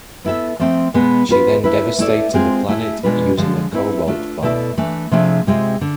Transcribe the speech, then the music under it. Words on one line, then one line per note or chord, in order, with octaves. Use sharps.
She then devastated the planet using a cobalt bomb.
B3 E4 A4 E5
F3 A3 C4
B2 G#3 B3
B3 F4 B4
A3 E4 B4
A3 E4 A4 D5
G#3 C4 F4 G#4 C5
A3 E4 G#4
B2 G#3 D4 F4 B4
D3 F3 G#3
A3 C4 E4 B4
A3 D4 F4
B2 A3 E4 A4 D5
E3 A3 D4
C3 F3 A3 D4 G#4
C3 G#3 C4 F4
D3